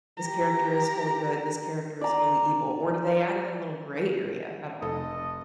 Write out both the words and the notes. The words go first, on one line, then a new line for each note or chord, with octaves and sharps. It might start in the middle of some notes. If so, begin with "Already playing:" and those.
this character is fully good, this character is fully evil, or do they add in a little gray area at all?
G4 A#5
D5 A#5
F1 A4 D#5